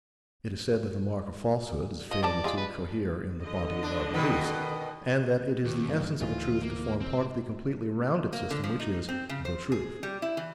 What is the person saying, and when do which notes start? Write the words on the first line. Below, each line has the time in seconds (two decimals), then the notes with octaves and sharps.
It is said that the mark of falsehood is failure to cohere in the body of our beliefs, and that it is the essence of a truth to form part of the completely rounded system which is The Truth.
2.11 F3 D#5
2.23 G4 B4 D5 A5
2.44 G#3 F4 G#4
2.57 B4
3.43 D3 D#5
3.83 D4
4.14 B2 D#3 B4
5.65 D#2
5.89 G2
6.21 D2 G#2 E3 F4
6.62 A#3
7.01 C4
8.33 A#3
8.51 D3
8.64 F3
8.80 D#4
9.09 C4
9.29 C#3
9.45 C5
9.72 G#4
10.03 G3
10.22 E4
10.37 E3